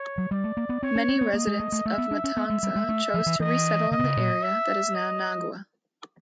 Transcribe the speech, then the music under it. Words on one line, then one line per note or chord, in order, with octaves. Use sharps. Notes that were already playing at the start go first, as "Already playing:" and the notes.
Many residents of Matanza chose to resettle in the area that is now Nagua.
Already playing: C#5
F#3
G3 D5
A3
A#3
B3
C4 C#5
C#4
C4
B3
A#3 D#5
G#3
A3
A3
A3 E5
B3
D4
C#4
B3
G#3
G3
G#3
A3
F3
E3
E3 D#5
D3 D#5
C3
C#3
A#2
E5
D#5